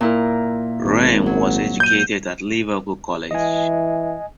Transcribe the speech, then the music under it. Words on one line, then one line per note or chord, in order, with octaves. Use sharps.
Ramm was educated at Liverpool College.
A#2 E4 A#4
G#1
F#3
G6 D#7
E3 D#5 G#5